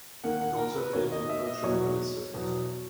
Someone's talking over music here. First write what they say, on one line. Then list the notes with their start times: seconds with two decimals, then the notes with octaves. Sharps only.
He also appeared in the Bertram Mills Circus.
0.24 D#2 D#3 A#3 F#5
0.41 F#5
0.58 A#4
0.76 B4
0.93 D#2 D#3 A#3 C#5
1.12 D#5
1.29 E5
1.46 D#5
1.63 E2 B2 F#3 C#5
2.34 E2 B2 F#3